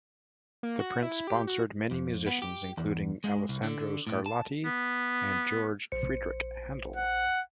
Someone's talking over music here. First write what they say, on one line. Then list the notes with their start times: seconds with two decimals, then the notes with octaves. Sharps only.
The prince sponsored many musicians including Alessandro Scarlatti and George Frideric Handel.
0.63 A#3
0.79 F#4
1.02 E4
1.27 G4
1.47 F#4
1.91 F2
2.26 B3
2.42 G4
2.77 E2
3.24 G#3
3.49 C2
3.63 D3
4.07 A2
4.26 A5
4.65 B3
5.92 A#1 C5 C#7
6.96 F#5